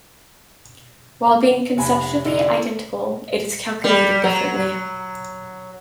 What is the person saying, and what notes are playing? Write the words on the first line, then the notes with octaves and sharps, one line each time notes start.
While being conceptually identical, it is calculated differently.
F1 G#5 B5
D3 C#4 E4
G3
F#3